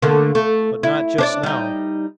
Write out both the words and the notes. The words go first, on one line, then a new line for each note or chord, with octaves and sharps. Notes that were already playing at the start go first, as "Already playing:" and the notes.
But not just now.
D3 A3 A#3
A3
E4
D4 C5 D5
G3 D#4